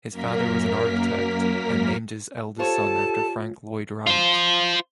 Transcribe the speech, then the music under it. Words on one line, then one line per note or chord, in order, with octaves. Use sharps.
His father was an architect and named his eldest son after Frank Lloyd Wright.
F#2 A#3 A#4 B6
F4 G4 A4 C5 C#5 A5
F4 C5